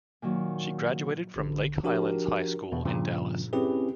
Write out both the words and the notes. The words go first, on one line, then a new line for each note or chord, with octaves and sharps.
She graduated from Lake Highlands High School in Dallas.
A#2 D#3 F#3
A1 D3
F3 D4 F#4 G4 A#4
E2 B2
G2 A#2 C#3 F3
C4 C#4 E4 G4 G#4 B4